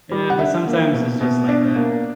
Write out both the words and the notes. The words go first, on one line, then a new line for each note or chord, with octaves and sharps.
Yeah, but sometimes it's just like that.
G3
F#5
D4 E5
A#3
B2
B2
D4
A#3